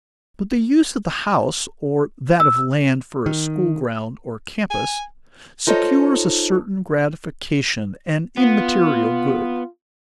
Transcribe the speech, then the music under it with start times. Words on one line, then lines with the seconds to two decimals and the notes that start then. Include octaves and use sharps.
But the use of the house, or that of land for a school ground or campus, secures a certain gratification, an immaterial good.
2.40 E6
3.26 D#3
4.71 G#5
5.67 D#4 F4 A4 C5 C#5 D#5
8.37 B3 F4